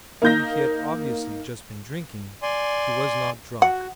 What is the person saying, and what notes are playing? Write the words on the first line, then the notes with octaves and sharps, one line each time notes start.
Though he had obviously just been drinking, he was not drunk.
A#3 D#4 G6 A#6
D5 G#5 C6
F#4 F#5